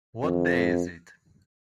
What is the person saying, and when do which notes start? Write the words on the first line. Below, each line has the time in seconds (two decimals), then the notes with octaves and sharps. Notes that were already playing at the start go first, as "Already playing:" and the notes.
What day is it?
0.24 F2